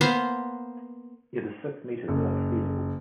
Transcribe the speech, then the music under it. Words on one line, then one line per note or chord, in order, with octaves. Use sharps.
It is six meters above sea level.
A#3 B3 C5
F#1